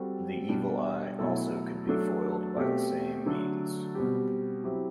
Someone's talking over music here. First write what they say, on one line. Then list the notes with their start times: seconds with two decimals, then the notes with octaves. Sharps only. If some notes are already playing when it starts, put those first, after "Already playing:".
The "evil eye" also could be foiled by the same means.
Already playing: G3 C4 F#4 A4
0.48 B2 G3 D4 G4
1.19 B2 F#3 A3 E4 A4
1.87 F#3 A3 D4 A4
2.56 B2 A3 C4 G4
3.26 D3 F#3 A3 D4 A4
3.95 B2 G3 C4 G4
4.64 F#3 C4 E4 G4